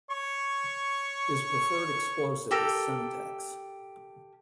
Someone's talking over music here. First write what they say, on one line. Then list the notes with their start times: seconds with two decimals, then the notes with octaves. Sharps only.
His preferred explosive is Semtex.
0.10 C#5 C#6
2.51 G4 A4 A#4